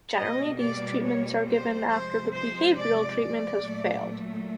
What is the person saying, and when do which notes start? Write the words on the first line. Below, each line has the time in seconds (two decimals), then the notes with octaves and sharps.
Generally, these treatments are given after the behavioral treatment has failed.
0.17 B2 G3 A#3 D#5
0.60 D5
1.03 C#5
1.47 C5
1.89 C3 F3 G#3 C5
2.33 C5
2.76 D5
3.19 D5
3.62 A#2 F#3 A3